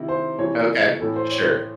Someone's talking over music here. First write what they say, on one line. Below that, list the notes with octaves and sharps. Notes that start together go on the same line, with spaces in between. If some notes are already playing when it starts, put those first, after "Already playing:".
Okay. Sure.
Already playing: C3 D#3 E4
C5
C3 E3 C#5
A2 E3 A4
C5
C#5